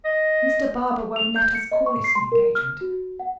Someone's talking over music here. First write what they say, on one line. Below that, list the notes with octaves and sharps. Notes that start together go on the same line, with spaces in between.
Mr. Barbour won't let us call it an engagement.
D#5
F7
G6
C#7
D#5
C#6
C7
C6
A#4
F6
F#4
F#5